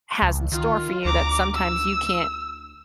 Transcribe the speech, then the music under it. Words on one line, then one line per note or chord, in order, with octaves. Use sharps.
has in store for you that sometimes you can't
C#2
D#3 F4
D2 A#5 D6
E6